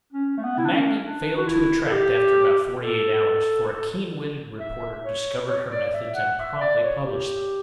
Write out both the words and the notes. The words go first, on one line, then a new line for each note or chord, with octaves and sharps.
The Magnet failed to attract after about forty-eight hours, for a keen-witted reporter discovered her methods and promptly published them.
C#4
A3
B3
E4
D4
C#4
D4
F#4
E4
A4
G4
A4
E5
C#5
C#5
D5
E5
F#5
E5
D5
C#5
G4